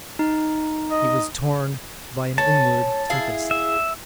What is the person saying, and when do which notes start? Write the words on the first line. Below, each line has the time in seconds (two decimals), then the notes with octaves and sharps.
He was torn by an inward tempest.
0.19 D#4
0.91 D#5
2.38 C#4 A5
3.10 E4 G#4 F5
3.51 E5